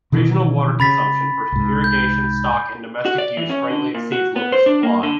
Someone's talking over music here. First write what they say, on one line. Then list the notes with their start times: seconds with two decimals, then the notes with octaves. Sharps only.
Regional water consumption for irrigation, stock and domestic use greatly exceeds local supply.
0.12 B2 D#3 E3
0.80 C#3 B5 A6 B6
1.52 C2 G#2
1.84 G6
3.05 F#4
3.18 D5
3.37 E3
3.49 C#4
3.70 D3
3.95 A#2
4.12 F#4
4.36 B3
4.52 C5
4.66 D4
4.83 A#3
5.03 D3